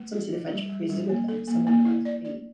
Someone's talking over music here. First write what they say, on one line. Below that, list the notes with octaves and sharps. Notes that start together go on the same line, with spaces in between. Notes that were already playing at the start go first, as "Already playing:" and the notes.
Some see the French victories as a good thing, some wonder whether to leave.
Already playing: A3
F4
F3
G3
G3
G3
A#3
A4
A#3
A#3
E4
D5
D5